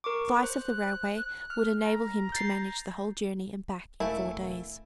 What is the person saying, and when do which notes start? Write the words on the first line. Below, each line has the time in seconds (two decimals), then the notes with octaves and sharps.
A slice of the railway would enable him to manage the whole journey and back in four days.
0.04 A#4 C#6 D6
0.43 C5 F#6
1.50 F6
1.85 A#5
2.32 G6 A6 C7
4.00 E1 A3 E4 A#4 F5 G#5